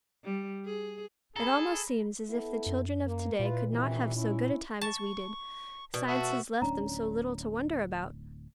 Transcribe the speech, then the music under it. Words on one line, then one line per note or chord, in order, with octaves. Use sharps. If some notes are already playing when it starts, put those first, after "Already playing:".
It almost seems as if the children of to-day could not have so good a time as we did, science has left them so little to wonder about.
G3
G#4
G#4 A4 A#5 B5
B3 E4 A4
F#2
A#3
A#2 E4 F4 B4
C3 D#3 E3
C#4 D#4 E4
A5 C#6
B2 D5
F#4 E5 A5
D1 C#4 D4 A#5